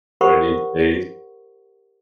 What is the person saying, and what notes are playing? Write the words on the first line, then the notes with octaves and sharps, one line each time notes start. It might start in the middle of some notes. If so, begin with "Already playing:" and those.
one of these days.
G4 A#4 C5 F#5 B5 C#6